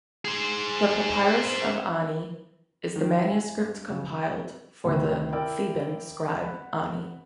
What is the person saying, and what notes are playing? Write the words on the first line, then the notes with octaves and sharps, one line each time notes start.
The "Papyrus of Ani" is the manuscript compiled for the Theban scribe Ani.
G#4 C5
D#3
E4
G#5
G2
C#3
D2 C3 D#3 G3
E4 A#4 D5 G5 E6
F#5 B5